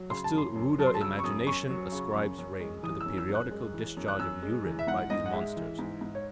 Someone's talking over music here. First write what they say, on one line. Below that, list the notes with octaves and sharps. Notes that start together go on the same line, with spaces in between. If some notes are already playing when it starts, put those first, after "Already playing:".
A still ruder imagination ascribes rain to the periodical discharge of urine by these monsters.
Already playing: F#3
C#3 C6
A5
F#2 C6
F#2
F#3 A5
C6
A5
C#3 E6
C#6
F#2 D#6
F#2 C#6
F#3
C#3
F#2
F#2
G#3
E3 D#6
E6
F#2
E6
F#2
F#6
G#3
E3
F#2
F#6
F#2 E6
G#3
E3
E5
G#2 F#5
G#2 D#5
F#5
G#3 E5
E3
G#2
G#2
C#5